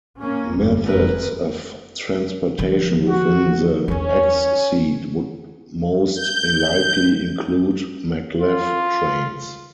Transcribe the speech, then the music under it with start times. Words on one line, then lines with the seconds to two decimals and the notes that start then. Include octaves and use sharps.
Methods of transportation within the X-seed would most likely include MagLev trains.
0.20 A#3 C#4
0.55 G1 F2 G3
0.85 F1 F2 G#3 A#4 B4
2.59 D3 F3
3.07 F#4
3.88 E2 E3 C#4
6.14 G6
8.41 F4